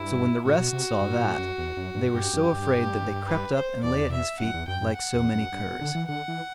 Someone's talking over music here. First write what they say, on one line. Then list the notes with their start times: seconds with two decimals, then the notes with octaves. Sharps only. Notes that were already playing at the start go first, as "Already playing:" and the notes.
So when the rest saw that, they were so afraid that they crept up and lay at his feet like so many curs.
Already playing: G2 E4
0.45 A2 F#4
0.59 B2
0.73 C3
1.01 G2
1.20 A2
1.38 F#2
1.58 E2
1.77 F#2
1.95 G2
2.14 G2 G4
2.33 F#2
2.52 G2
3.27 B4
3.55 C5
3.83 E2 D5
4.11 E5
4.39 F#2 F#5
4.54 E2
4.68 F#2 G5
4.82 F#2
4.96 F#5
5.14 E2
5.34 F#2
5.52 G2
5.66 B2
5.81 D3
5.95 E3
6.09 D3 F#5
6.28 E3